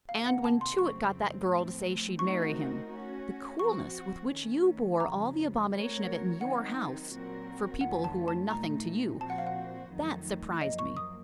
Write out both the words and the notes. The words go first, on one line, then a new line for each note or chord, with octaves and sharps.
"And when Tewett got that girl to say she'd marry him, the coolness with which you bore all the abomination of it in your house,--for people who were nothing to you;--that surprised me!"
C3 D#3 A#3 F5
F#5
A5
C6
F2 C#3 F#3 A3 C4 C#6
A2 F3 A3 C4
A3 C4 D#4 F#4 A#4 C#6
A3 C#4 F#4
F3 C4 F#4 C#6
D#3 A3 C#4
F2 C#3 F3 A#5
A3 C4 F#4 A#4 C#5
D#3 F#3 C4 D#4 F#5
A#2 F#3 C4 F#4 A#4
F2 D#3 A3 C#4 F4 F#5
A5
A5
A#2 A3 D#4 A#5
A#2 F3 C4 F#4 C5 A5
F#5
F5
F#5
F2 D#3 F#3 A3 D#4
F#2 F3 A#3 D#5
C#6
D#6